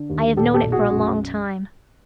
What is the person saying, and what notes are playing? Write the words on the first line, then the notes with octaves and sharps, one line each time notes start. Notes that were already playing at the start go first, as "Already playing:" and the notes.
I have known it for a long time.
Already playing: D3
D#2
A#2 G4 A4
G4 A4
B1
F#4 G#4
F#2